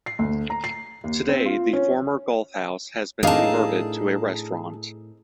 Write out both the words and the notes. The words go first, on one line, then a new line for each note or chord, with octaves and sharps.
Today the former golf house has been converted to a restaurant.
C7
D2
A#5
C7
D#2
C4
F4
C#4
A2 C4 D4 D#4 G#4 A#4 F5 A5